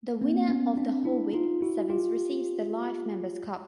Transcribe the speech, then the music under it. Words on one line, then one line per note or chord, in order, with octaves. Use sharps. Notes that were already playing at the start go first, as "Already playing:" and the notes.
The winner of the Hawick Sevens receives the Life Members Cup.
A#3 C4
B3 C#4
C4 D4
D4 E4
D#4 F4
E4 F#4
F4 G4